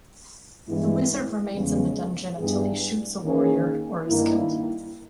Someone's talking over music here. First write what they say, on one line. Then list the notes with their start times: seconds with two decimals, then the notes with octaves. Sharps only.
The Wizard remains in the dungeon until he shoots a Warrior or is killed.
0.67 G2 E3 G#3 B3 E4
1.52 E2 C#3 G#3 B3
2.37 G2 G3 B3 E4 G#4
3.21 D#3 A#3 C#4 G#4
4.07 G2 D#3 A#3 E4